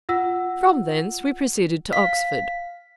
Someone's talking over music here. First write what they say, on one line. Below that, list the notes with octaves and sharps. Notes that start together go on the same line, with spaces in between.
From thence we proceeded to Oxford.
F4 F#5 E6
F5 B6